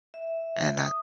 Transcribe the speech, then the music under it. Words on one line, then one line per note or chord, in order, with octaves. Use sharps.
and I I
E5
D#6